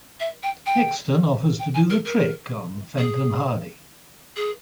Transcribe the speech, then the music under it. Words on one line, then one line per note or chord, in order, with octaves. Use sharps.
Hexton offers to do the trick on Fenton Hardy.
E5
G5
G5
G5
G#5
A#4
A#4
G#4
G#4